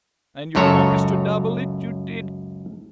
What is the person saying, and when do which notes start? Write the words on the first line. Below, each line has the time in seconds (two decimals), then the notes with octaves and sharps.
And you promised to double it--you did!
0.55 C#2 F#2 A4 C#5 A#5